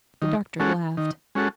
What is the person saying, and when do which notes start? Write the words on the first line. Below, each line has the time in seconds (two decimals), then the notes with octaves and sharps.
The doctor laughed.
0.22 D#3
0.60 G#3 C#4 F#4 A4
0.97 D#3
1.35 G#3 C#4 F#4 A4